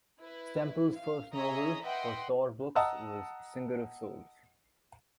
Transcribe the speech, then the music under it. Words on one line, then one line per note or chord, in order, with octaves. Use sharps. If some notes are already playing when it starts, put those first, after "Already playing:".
Stemple's first novel, for Tor Books, was "Singer of Souls".
E4 B4
F5
G#4 C#5 D#5 E5 A#5 D#6
B4 D#5 E5 F#5 G5 C6
D#5 F#5 A5 A#5 D#6 E6